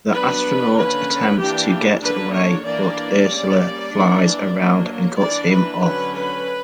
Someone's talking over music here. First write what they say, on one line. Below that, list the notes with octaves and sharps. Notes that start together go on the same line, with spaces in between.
The astronaut attempts to get away, but Ursa flies around and cuts him off.
F#3 B3 D4 B4
D3 A#3 C#4 B4
E3 A#3 D4 G4
D3 A#3 D4 B4
C#5
E3 A#3 D4 D5
G3 A#3 C#4
E3 A#3 D4
F#3 A#3 D4
E3 A#3 D4 D5
B4
D3 F#3 C#4 B4
B4